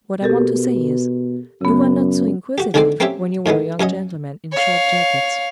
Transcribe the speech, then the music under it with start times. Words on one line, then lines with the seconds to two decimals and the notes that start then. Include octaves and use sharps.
What I want to say is: you were not so inquisitive when you were a young gentleman in short jackets.
0.22 B2 G4 A4 A#4
1.61 F#2 C#3 B3
2.58 F#4 G4
2.74 D2 D3 D#3 G#3 C4 D5
3.00 A#3 C4 C#4 G4 C#5 E5
3.46 A2 D#3 G#3 B3
3.80 F#2 F#3 C#4 D#5
4.52 C#5 F5